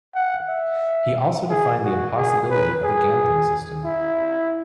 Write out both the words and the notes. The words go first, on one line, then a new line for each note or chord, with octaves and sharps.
He also defined the impossibility of a gambling system.
F#5
E5
G#4
F#4
G#4
B4
G#4
E4